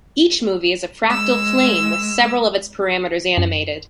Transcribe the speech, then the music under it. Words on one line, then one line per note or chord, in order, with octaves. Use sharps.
Each movie is a fractal flame with several of its parameters animated.
G#3 E6
F#2